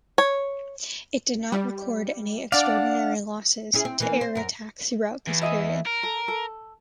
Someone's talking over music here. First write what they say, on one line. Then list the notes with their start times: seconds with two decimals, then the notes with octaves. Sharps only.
It did not record any extraordinary losses to air attack throughout this period.
0.18 C#5
1.52 G3
2.52 D4 D5 F5 F#5
3.73 C#4 E4 G#4
3.85 C4
4.00 E3 A#3
4.21 C5
4.35 F#2 A#4
5.28 E2
5.42 G#4 D#5 E5
5.86 A#4
6.03 A4
6.28 A4